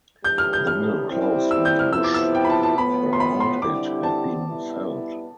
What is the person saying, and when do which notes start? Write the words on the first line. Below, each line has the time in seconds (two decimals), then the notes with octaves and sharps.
The mill closed when the bush around it had been felled.
0.24 E3 G3 D4 G4 G6
0.38 F6
0.53 G6
0.67 F6
1.09 G3 C4 E4 G4
1.51 E6
1.65 G6
1.79 F6
1.93 C3 F3 B3 E4 E6
2.04 D6
2.14 E6
2.35 G5
2.45 B5
2.50 A5
2.63 A5
2.78 A2 F3 B3 B5
3.13 C6
3.20 B5
3.40 C6
3.61 D3 G3 C4 E4 G4 D6
4.03 A5
4.45 G3 B3 E4